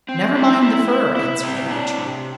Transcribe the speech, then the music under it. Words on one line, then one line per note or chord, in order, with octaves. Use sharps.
"Never mind the fur," answered the Bachelor.
C4
E4
E4
E4
E4
C4
D4
C3